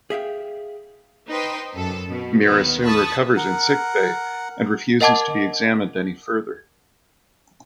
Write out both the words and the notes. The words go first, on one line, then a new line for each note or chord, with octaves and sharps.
Mira soon recovers in sickbay and refuses to be examined any further.
G#4 E5 F5 G5
D#4 B4 C5 G5 C6
F#2 A4
B2
D#2 D#3 B3
A5 B5 C#6 D#6
A#4 F#5
A#4 D#5 F#5 A5 D6 G#6